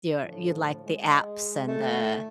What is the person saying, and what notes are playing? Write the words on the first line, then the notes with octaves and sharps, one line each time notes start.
your you like the apps, and the
A2 D3 F3
G#3
A#2 D#3 A3